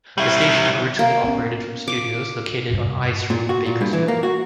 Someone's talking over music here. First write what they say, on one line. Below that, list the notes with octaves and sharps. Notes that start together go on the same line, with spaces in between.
The station originally operated from studios located on Eye Street in Bakersfield.
G3 E4
A#3
B3 C#4
D6
G2 C3
A#2
F#4
A#2
G2
E3
A#3
F#4